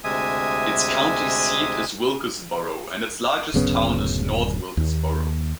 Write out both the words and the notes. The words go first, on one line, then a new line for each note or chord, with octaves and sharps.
Its county seat is Wilkesboro, and its largest town is North Wilkesboro.
D2 C3 G#3 E5 G#5 D#6
D1 F#2 C#3 B3
D#2